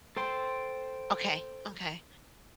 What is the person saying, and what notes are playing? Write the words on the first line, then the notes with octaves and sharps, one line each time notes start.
Okay, okay.
A4 C5 G5 C6